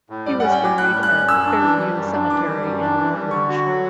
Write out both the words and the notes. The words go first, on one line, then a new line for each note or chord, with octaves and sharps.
He was buried at Fairview Cemetery in Norwich.
A2
G3 D5
F#5
C#4
G5
A2 D6
A2 F#6
G3
F#6
C#4
F#2 E6
D4
E3
G3
F#2
D4
E3 D6
G3
F#2
D4
E3
G3
D3 C#6
F#4
F#3